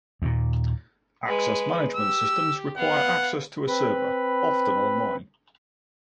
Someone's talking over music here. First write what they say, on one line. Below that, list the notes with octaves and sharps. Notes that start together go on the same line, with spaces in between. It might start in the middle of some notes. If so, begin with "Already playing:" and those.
Access management systems require access to a server, often online.
D#2 A#2
G#3 B4
G4 E6
B3 F5 F#5
C4 B4 B5